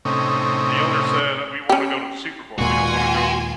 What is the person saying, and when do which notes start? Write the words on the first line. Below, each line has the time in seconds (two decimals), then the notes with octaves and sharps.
the owner said that, "We wanna go to the Super Bowl, we don't wanna go
0.05 A2 C3 C#4 D#4
1.69 C#4 G4
2.58 D#2 A#2 G#3 F4 F#4 G#5 C6